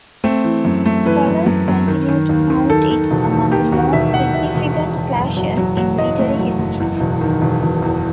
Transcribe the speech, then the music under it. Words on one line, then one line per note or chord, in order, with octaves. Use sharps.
Scholars continue to count it among the most significant clashes in military history.
A3 C4
E3
F#2
A3
E3 B4
F#2
F#2
F#2
D#3
D#3
D#2
D#3
D#3 A4
D#3
E1
D#2
D#3 G4
D#2 F#4
E1 E5
E1 F#5
E1 E5
E1
E1
E1
F#1
F#3
F#3
F#3
F#1 D#5
A3
F#3
F#1
E2
E1
D#3
E1
E1
E2